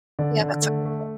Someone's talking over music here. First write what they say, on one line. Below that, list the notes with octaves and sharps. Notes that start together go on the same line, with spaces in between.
yeah, that's a good point.
D3 D5
D3
A3
A3